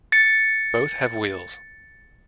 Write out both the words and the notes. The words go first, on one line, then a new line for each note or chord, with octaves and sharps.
Both have wheels.
A6 C#7